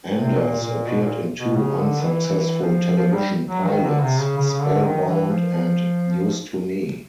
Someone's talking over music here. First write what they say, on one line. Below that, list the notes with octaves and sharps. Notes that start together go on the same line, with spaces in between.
Anders appeared in two unsuccessful television pilots, "Spellbound" and "News To Me".
C3
A#2
A#2
B2
A#2
B2
C#3
D3
E3
E3
F3
F3
G3
F#3
D#3
D3
C3
C#3
C#3
C#3
D3
D#3
E3
F3
F3